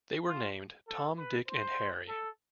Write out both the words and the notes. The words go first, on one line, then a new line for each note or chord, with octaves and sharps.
They were named Tom, Dick and Harry.
F4
A4
B4
C5
A4